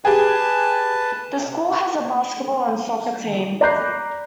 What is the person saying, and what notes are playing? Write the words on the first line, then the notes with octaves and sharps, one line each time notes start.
The school has a basketball and soccer team.
G4 G#4 B4 A5
D5 A#5 B5 F#6 G6 C7